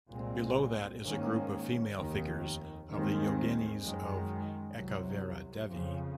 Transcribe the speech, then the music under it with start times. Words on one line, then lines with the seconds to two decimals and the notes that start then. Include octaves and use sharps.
Below that is a group of female figures of the Yoginis of Ekaveera Devi.
0.10 C2 A#2 G#3 C4
1.03 G#2 D#3 A#3 C#4
1.96 F1 D#2 D#3
2.90 D#2 D#3 G#3 C4
3.83 F#2 D#3 G#3
4.76 C2 C3 F#3
5.69 F2 C#3 F3